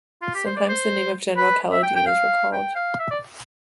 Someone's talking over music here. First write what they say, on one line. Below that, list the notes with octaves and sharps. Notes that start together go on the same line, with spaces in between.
Sometimes the name of General Kaledin is recalled.
F4
G4
C5
D5
C5
B4
E5
G5
G5
F5
G5
F5
E5
D5